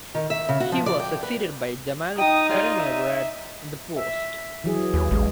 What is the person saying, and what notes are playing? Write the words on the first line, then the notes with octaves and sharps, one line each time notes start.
He was succeeded by Jamal Karimi-Rad in the post.
D#3
E5
C#3
F#4
F3
D5
G5
B4
D#4 G5 D#6
F4 G#4 C#5 D5
E5
E5
E3 F#3 G#4
D#2
A1 G#3